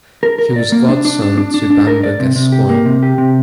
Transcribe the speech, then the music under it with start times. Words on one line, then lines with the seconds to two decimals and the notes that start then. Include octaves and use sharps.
He was godson to Bamber Gascoyne.
0.23 A#4
0.39 A#4
0.56 D5
0.72 A#3
0.89 D4
1.05 D4
1.22 D4
1.38 D4
1.54 D4
1.70 D4
1.87 A#4
2.03 D5
2.20 C3
2.36 C3
2.52 G4
2.69 A#3
2.86 C3
3.03 G4
3.18 C3